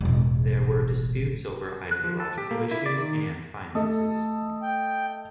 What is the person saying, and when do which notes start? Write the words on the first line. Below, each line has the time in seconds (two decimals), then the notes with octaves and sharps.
There were disputes over ideological issues and finances.
0.01 E1 A1
1.91 F#6
2.04 F3
2.20 A4
2.38 G4
2.51 A#3
2.71 E4
2.86 D5
2.98 D#3
3.75 A3 A4 D#5
4.63 G5